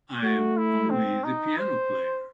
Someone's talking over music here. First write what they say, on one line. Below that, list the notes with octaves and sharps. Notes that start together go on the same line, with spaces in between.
I'm only the piano player!
A3 F#4
E4
C4
D#4
C5